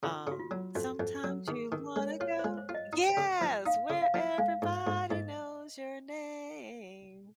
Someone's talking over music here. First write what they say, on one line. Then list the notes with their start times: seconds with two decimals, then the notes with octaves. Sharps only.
Um, "Sometimes you wanna go" Yes, "Where everybody knows your name."
0.03 C#3 F4
0.27 C#3 F#4
0.40 F4
0.51 F#3
0.75 F2 F#4
1.00 F2
1.24 F#3
1.48 D#3 G#4
1.72 D#3 A#4
1.96 G#3 C#5
2.20 F4 C#5
2.39 C5
2.44 G#3
2.57 C5
2.69 F4
2.74 D#5
2.93 D#4
3.17 C#3
3.41 F3
3.66 D#4 F5
3.90 C#3
4.02 F5
4.14 F3
4.38 G#3 F5
4.62 G#2
4.87 G#2
5.11 G#2 D#5